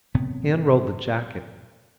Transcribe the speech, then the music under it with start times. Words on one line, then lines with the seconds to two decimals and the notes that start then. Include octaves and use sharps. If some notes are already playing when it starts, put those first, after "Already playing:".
He unrolled the jacket.
0.14 F#1 A2 C3 B3